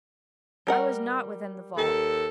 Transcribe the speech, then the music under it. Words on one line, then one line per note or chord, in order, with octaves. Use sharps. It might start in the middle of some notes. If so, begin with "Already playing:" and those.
I was not within the vault.
G3 A#4 F#5
D#2 A4